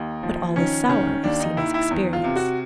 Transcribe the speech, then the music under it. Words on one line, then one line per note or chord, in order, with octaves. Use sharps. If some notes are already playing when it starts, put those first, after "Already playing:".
But all is sour, if seen as experience.
Already playing: D#2 D#4
F3
D#3 C#4
D#3 C#4
D#2 D4
D#4
D#3 E4
E4
E2
F4
C3
F#4